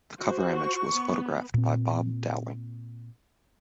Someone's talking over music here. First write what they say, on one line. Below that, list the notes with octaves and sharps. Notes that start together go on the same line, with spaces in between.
The cover image was photographed by Bob Dowling.
F#4 C5
C#6
B3
A#2 C4